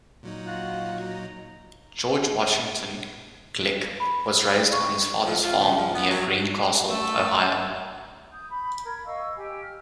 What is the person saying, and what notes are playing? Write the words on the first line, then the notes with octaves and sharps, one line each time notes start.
George Washington Glick was raised on his father's farm near Greencastle, Ohio.
A#2 F#3 D#4
F4 F#4 F#5
A#5
B5
C#6
F3
F4
C#3
F3
B3
F#3
A3 E6
D#6 G6
B5
A#4 G#6
D#5 F5 C#6 E6
G4 G5 G#5
F6